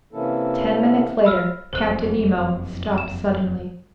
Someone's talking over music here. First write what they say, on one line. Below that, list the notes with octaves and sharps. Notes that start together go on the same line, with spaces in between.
Ten minutes later, Captain Nemo stopped suddenly.
C3 E3 A#3 C#4 E4 A4
B5 E6 F6
F#1 F2 E3 C5 F#6
E7